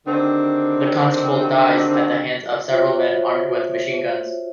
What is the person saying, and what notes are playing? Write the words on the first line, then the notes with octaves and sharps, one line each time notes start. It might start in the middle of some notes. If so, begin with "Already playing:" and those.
The Constable dies at the hands of several men armed with machine guns.
D3 D#3 C4 D4 G4
F4 F#4 C5 C#5 E5